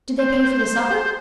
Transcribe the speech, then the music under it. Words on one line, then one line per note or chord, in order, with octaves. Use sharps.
"Did they pay for the supper?"
C5